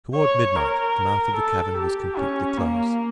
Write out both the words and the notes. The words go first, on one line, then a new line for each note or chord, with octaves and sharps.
Toward midnight the mouth of the cavern was completely closed.
C#5
A#4
A4
G4
C#4
A#3